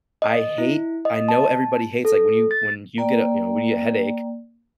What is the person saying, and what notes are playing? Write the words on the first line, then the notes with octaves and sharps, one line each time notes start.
I hate I know everybody hates like when you when you get up, you know, when you get a headache,
D#5
E4
D#5
A5
A4
A6
A#3 D5 G5